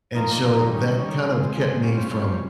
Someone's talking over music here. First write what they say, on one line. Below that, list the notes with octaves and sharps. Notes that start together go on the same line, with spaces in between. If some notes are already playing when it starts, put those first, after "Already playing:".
and so that kind of kept me from
A#2 F3 A#3 D#4
A#2 F3 A#3 D#4
D#3 G3 C#4
D#3 G3 C#4
F3 G#3 C4
F3 G#3 C4
C3 G3 C#4 F4
C3 G3 C#4 F4